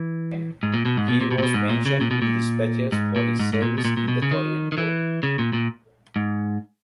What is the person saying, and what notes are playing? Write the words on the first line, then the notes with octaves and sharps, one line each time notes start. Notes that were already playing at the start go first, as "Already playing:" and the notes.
He was mentioned in dispatches for his service in the Korean War.
Already playing: E3
G#2
A#2
B2
G#2
B2
A#2
B2
A#2
B2
G#2
A#2
C#3
A#2
B2
A#2
G#2
A#2
G#2
G#2
A#2
B2
A#2
A#2
B2
C#3
D#3
D#3
E3
C#3
A#2
A#2
G#2